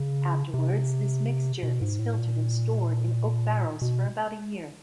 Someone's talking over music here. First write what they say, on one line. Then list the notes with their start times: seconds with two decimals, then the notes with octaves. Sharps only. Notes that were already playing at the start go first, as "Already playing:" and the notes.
Afterwards, this mixture is filtered and stored in oak barrels for about a year.
Already playing: C#3
0.54 C3
1.63 B2
1.81 G#2
1.99 A2
2.18 A#2
3.82 B2